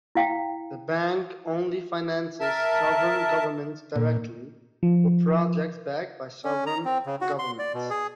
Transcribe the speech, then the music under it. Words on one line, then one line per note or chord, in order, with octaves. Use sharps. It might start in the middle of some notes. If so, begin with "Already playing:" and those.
The Bank only finances sovereign governments directly, or projects backed by sovereign governments.
E4 F5 G5
A#4 E5 A5
A#2
F3
C#4
A#5
C4
C#3
F#4
C6
D5
B2
G#4